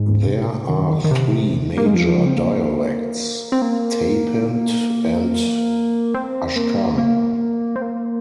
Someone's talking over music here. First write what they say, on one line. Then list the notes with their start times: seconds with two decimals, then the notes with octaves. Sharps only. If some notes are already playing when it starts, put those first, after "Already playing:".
There are three major dialects, Tapant and Ashkhar.
Already playing: G#2
0.26 C3
0.69 D#3
1.04 D#3
1.11 C3
1.77 A#3
1.86 G#3
1.95 F3
2.26 C4
2.37 A#3
3.52 C4
3.62 A#3
6.14 C4
6.56 A#3
6.98 A#3
7.76 C4
7.82 A#3